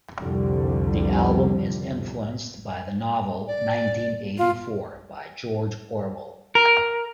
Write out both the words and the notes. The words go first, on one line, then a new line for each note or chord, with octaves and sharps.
The album is influenced by the novel "Nineteen Eighty-Four" by George Orwell.
C2 F2 D3 F3 G3
D5
F4
A#4